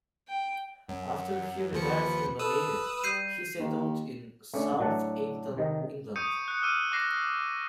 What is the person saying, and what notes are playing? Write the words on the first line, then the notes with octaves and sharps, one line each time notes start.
After he retired from the Navy, he settled in Southampton, England.
G5
F#2 F#5
D#2 F3 B4 C#7
A4 B4 D#6 E6
G3 G6 C7 D#7
D#2
A3 C#4 D4
A2 F#3 A3 D4 F#5 A5
C3 D#3 D#5
C#6 D#6 G6 C#7 D#7
F#6 C#7
D6 E6 F6 C#7 D#7
D6 F#6 A#6 C7